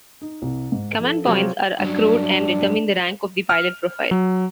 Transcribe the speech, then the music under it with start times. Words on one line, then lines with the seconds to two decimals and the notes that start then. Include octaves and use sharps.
Command points are accrued and determine the rank of the pilot profile.
0.21 D#4
0.42 C2 C3
0.72 G#2
0.99 F3 A4
1.26 C3 F#3 F4
1.80 G2 F#3 D4
3.49 F6
4.11 F#3